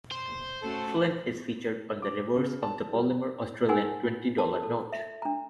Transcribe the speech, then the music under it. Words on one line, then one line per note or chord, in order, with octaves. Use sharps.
Flynn is featured on the reverse of the polymer Australian twenty-dollar note.
C5
A3 C#4 F#4 A4
D6
C#3
A5
G3
D#4 A#4 F#5 G#5 C6
F4
A5
A4
E5
D4 A#5